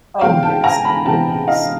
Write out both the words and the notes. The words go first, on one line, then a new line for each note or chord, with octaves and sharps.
Oh my goodness, beignets.
C3 E3 G#3 B3 F5 G5
G5 A5
G#5 A#5
A5 B5
C3 E3 G#3 B3 G5 A5
D#5 F5